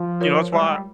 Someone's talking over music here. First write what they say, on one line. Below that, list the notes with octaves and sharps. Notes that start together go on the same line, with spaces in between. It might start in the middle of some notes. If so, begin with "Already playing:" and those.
You know, that's why
Already playing: F3
F4 A#4 C#5
G3 G#3